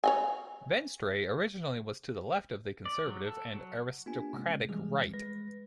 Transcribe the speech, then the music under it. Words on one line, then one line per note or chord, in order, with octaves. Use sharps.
Venstre originally was to the left of the conservative and aristocratic right.
C#5 D#5 G#5
D5
F#3
A4
F#3
A#3 B3 D4 F4 G4 G#5
C3 G#3 C#4
E3 F3 G3 G#3 G#4
G#3 B4 A#6